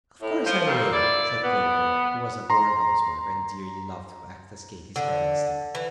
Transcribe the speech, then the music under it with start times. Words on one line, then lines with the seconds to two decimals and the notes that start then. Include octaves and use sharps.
"Of course I will!" said Clover, who was a born housewife, and dearly loved to act as Katy's prime minister.
0.21 A2
0.45 F3
0.65 G3 A#3 C4
0.92 E4 D5
1.43 B3
2.50 A#5 C6
4.96 D3
5.75 E3